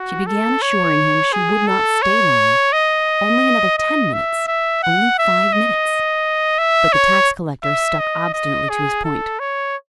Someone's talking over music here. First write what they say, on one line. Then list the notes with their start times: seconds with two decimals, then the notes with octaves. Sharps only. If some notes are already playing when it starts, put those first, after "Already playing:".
She began assuring him she would not stay long, only another ten minutes, only five minutes; but the tax-collector stuck obstinately to his point.
Already playing: F#4
0.27 A4
0.62 C#5
1.32 G#4
1.67 A4
2.02 C#5
2.72 D#5
3.78 D#5
4.13 E5
4.47 E5
4.83 F#5
5.18 E5
5.52 D#5
6.58 E5
6.93 C#5
7.63 E5
7.99 D#5
8.33 D#5
8.69 G#4
9.04 A4
9.39 C#5